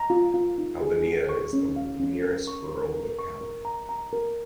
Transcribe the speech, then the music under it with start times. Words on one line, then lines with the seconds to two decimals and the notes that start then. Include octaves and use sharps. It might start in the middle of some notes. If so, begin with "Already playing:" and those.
Albaniya is the nearest rural locality.
Already playing: A#5
0.10 F4
0.34 F4
0.58 D#4
0.81 G#4
1.05 G#4
1.29 C#6
1.53 C#4
1.76 F5
2.00 C#4
2.24 A#4
2.47 C#6
2.71 A#4
2.94 A#4
3.19 C#6
3.41 A#4
3.65 A#5
3.89 A#5
4.13 A#4